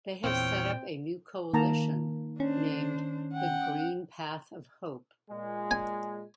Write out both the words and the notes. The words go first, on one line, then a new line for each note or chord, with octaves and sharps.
They have set up a new coalition, named The Green Path of Hope.
E2 A#2 C4 C#5 G5 F6
D#3 A#3 A5 A#5
C#4 D4 C5
F#5 G5
A#2 G#3
G#5